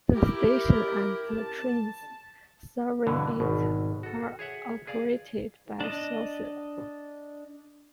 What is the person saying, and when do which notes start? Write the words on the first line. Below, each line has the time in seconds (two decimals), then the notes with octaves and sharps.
The station and the trains serving it are operated by Southern.
0.14 E4 G4 A#4
1.29 A5
3.07 G2 B2 D3 E3
3.40 G#1 B2
4.03 F#4 A4
4.39 G#4 C#5 E5 F#5
4.87 G#4 D5 F5
5.80 D4 D#5